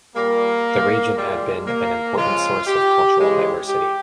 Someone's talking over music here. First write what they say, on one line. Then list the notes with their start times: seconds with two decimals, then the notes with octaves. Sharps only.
The region had been an important source of cultural diversity.
0.16 A#2 G3 A#3
1.16 A#2 G3 G#3
1.67 A#3
2.17 C#3 F3 G#3 F4
2.67 G4
3.17 C#3 E3 G#3
3.68 G4